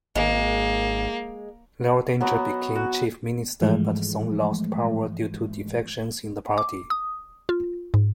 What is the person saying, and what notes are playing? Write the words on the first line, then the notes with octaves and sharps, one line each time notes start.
Laldenga became Chief Minister, but soon lost power due to defections in the party.
G#1 G#3 A#3
F#3 B3 D#5
F#4
G#2 E3 F3 G#3 A3
D6
D#6
F4
G#2